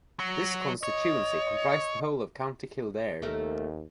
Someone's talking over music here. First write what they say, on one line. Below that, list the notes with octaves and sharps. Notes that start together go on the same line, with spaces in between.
This constituency comprised the whole of County Kildare.
F#3
C#5 D#5
D#2 A3 D#4 A#4